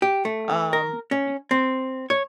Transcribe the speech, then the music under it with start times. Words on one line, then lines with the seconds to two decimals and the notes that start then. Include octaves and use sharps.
um, eh
0.02 G4
0.25 A3
0.73 A#4
1.11 C#4
1.51 C4
2.10 C#5